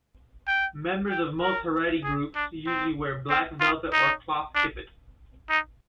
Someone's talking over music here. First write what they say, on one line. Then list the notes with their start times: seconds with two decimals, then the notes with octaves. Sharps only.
Members of most Haredi groups usually wear black velvet or cloth kippot.
0.47 G5
1.10 G5
1.41 A#4
2.04 G#4
2.35 D4
2.67 C4
3.29 C4
3.60 F4
3.93 D#4
4.55 D4
5.49 D#4